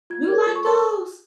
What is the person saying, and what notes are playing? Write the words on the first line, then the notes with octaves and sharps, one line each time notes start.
You like those?
F4 G#6
A#4 C#5 G#6
F4
C#6
A#4 C#5 C6
C#6